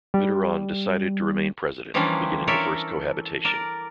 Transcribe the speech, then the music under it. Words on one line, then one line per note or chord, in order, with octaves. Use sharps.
Mitterrand decided to remain president, beginning the first cohabitation.
G3
E3 F3 G3 A#3 C#4 D4
A4 A#4 C#5 D5 E5
A#4 D5